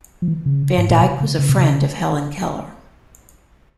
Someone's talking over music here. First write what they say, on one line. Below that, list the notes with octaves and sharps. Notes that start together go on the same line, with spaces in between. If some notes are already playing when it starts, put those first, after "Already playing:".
Van Dyke was a friend of Helen Keller.
F3
E3
C#3
G#2
A#2
C3
C#3
C#3
C3
C#3